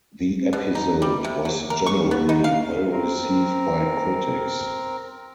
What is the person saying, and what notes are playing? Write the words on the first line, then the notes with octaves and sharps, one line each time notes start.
The episode was generally well received by critics.
B2
D#4
G3
C3
F#3
A#4
C#6
B3
D#4
F5
C4 A#4